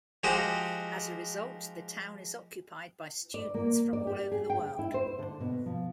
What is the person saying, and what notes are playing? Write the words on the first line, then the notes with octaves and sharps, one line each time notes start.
As a result, the town is occupied by students from all over the world.
F3 G#3 F#4 G4 D#5
D5
A#3
D5
G4
G#4
G5
E4
C5
D3
B2
F3